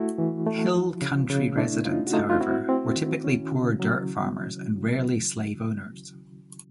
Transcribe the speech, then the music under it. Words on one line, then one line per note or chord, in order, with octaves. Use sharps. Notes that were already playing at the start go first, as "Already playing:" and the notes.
Hill country residents, however, were typically poor dirt-farmers and rarely slave owners.
Already playing: A3 E4 F#4
E3
A3
F3
C#3
C#3
A3 D4 E4
C#4 D#4 F4
F#4
A3 D#4 F4
F4
C4 E4 F#4
C4
D#3
C#4
C#3
F#3